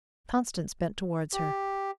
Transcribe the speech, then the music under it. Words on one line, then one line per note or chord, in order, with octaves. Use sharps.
Constance bent towards her.
G4